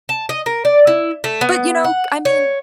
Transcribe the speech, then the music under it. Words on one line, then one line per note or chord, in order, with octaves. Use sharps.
But, you know, I mean
A5
D#5
A#4
D5
E4
A3
B3
F#5
C#5